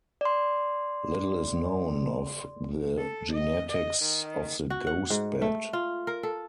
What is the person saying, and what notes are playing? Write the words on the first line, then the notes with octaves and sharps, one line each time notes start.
Little is known of the genetics of the ghost bat.
D5 C6
A4
D#5
D#5
D#3
F#4
F#5
G#2
A3
F4
A#4
A4